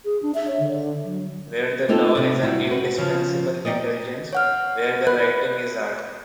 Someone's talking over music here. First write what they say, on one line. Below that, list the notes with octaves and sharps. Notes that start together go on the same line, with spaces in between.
Where the law is an indispensable indulgence, where the writing is art.
G#4
D4
E5
C#5
D3
F#3
A#3 C4 D#4 F4 A4
C3 D4
G3 E4 F#4
F#4 B4
C#3 F3
D#4 G4 D5 D#5
C#5 F#5 F6
B4 F#6